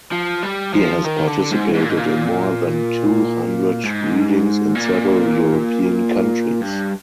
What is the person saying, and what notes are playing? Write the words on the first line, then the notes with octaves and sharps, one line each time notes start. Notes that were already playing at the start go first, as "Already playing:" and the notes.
He has participated in more than two hundred readings in several European countries.
F3
G3
F3
D#3
D3
G#2
G#2
A#2
G#2
A#2
G#2
A#2
G2